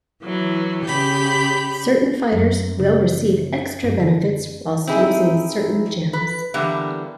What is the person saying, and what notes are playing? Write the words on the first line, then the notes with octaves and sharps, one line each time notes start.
Certain fighters will receive extra benefits whilst using certain gems.
E3 F#3
C#3 G4 B5 G6
F#2 F#3
C#3
G2
D3
C4 D#4 E4 G#4
B4
D3 E3 G3 A#3 B3